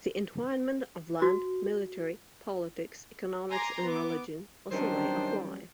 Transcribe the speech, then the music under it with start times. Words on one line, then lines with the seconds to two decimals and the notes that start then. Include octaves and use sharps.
The entwinement of land, military, politics, economics and religion was a way of life.
1.22 F#4
3.49 G#5 A#5 C6 D6
3.83 B3 D6
4.71 D#3 F#3 G3 C#4 D4 C5